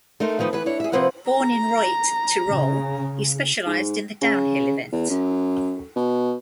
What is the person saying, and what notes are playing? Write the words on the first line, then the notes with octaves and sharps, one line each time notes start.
Born in Reutte, Tyrol, he specialized in the downhill event.
A3 D#4 A#4 C5
D#3 F3 B3 D#4
E3 B3 B4
D4 E4 C#5
G#4 E5
C3 F3 A#3 C4 B4 F#5
A#5
C#3
G#2
C#3
E2
F#2
B2